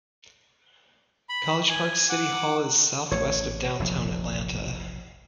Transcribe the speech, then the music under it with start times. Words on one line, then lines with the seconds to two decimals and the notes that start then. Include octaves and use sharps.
College Park's City Hall is southwest of downtown Atlanta.
1.29 B5
1.69 G#5
2.09 F#5 D6
3.11 A1 A3 C#5
3.80 F1 A#1 E2